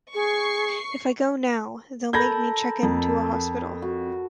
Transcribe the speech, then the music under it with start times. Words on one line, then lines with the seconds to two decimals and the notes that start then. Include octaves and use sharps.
If I go now, they'll make me check into a hospital.
0.15 G#4 C#6 C7
2.13 A4 A#4 B5 G6 G#6 A#6
2.83 F2 A4
3.82 F#4